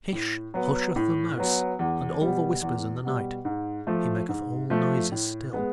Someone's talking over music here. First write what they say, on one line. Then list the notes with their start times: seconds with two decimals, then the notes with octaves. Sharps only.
Hish husheth the mouse and all the whispers in the night; he maketh all noises still.
0.12 A2
0.54 F#3 B3
0.96 A2
1.37 F#3 B3
1.79 E2
2.21 B2 G3
2.62 E2
3.04 B2 G3
3.45 G#2
3.87 F3 A3
4.29 G#2
4.70 F3 A3
5.12 A2
5.53 G#3 B3